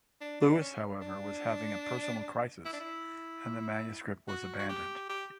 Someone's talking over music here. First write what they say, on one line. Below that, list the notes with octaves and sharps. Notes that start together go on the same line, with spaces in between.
Lewis, however, was having a personal crisis and the manuscript was abandoned.
D4
D4
C#4
D4
E4
D4
E4
F#4
F#4
G4
G4